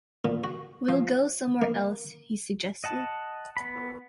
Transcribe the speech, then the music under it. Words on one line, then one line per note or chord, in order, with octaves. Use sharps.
"We'll go somewhere else," he suggested.
A#2
F#4
F3
A#3
D#5 F#5 A5
B3 B5